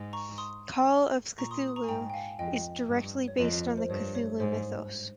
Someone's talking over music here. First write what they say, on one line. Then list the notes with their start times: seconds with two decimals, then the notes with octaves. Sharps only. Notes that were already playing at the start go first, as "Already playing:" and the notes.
"Call of Cthulhu" is directly based on the Cthulhu Mythos.
Already playing: G#2
0.13 A#5 C#6
0.38 C6 D#6
1.38 A#2 A#5 C#6
1.51 C6 D#6
1.68 D#6
1.76 A#5 C#6
1.84 G#5
1.89 G#2 G5 A#5
2.10 G5
2.14 F5 G#5
2.39 F2 D#5 G5
2.89 G2
3.28 C#5
3.39 F2 D#5
3.66 A#4
3.78 C5
3.90 G2 C#5
4.15 C#5
4.40 G#2 C5